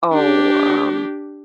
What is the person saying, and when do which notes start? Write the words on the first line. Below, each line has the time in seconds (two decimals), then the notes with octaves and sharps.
"Oh, um,
0.13 D4 G4